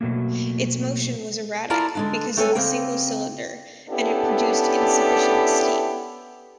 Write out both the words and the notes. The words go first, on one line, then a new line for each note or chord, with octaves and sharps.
Its motion was erratic, because of the single cylinder, and it produced insufficient steam.
B2 D#3 F#3 A3 A#3
E4 F4 A#4 D5 A5 A#5
D3 G#3 D4
A3 C4 A4 B4 C#5 G#5
C#3 A#3 C4 G5
B3 C#4 D4 E4 G4 A4